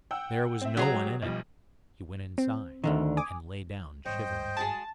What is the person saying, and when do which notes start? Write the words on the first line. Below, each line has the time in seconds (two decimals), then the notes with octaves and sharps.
There was no one in it; he went inside, and lay down shivering.
0.11 F#5 G5 E6
0.61 C4 E5
0.77 F#3 G#3 C#4 G4 G#4 A#5
1.22 B1 F3 G3
2.38 C4
2.84 D2 D3 D#3
3.17 G#5 D6 D#6
4.05 G#1 G2 C5 C#5 D#5 G5
4.57 G#3 F#4 G#4 A5